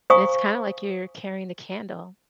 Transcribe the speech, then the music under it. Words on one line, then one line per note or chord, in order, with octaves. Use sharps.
and it's kinda, like, you're carrying the candle,
C5 F5 G#5 A#5 C#6 D#6